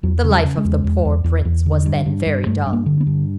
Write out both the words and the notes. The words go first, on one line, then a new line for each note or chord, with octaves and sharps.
The life of the poor prince was then very dull.
E2 F#3
C#3
G3
C#3
G#3
E2
E2
E2
E2
E2
D3
G2
G2
G2
G2 A3
G2
A#3
D3
B3
G2